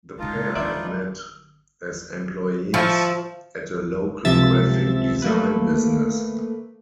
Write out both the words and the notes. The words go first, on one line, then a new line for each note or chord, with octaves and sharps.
The pair had met as employees at a local graphic design business.
C#3 G#3 D#4 F4 A5
G#3 D4 D#4 F4 B4 D5 E5
F3 E5 A5 C#6
C#2 C3 F3 E5 E6 A6
A3 A#3 B4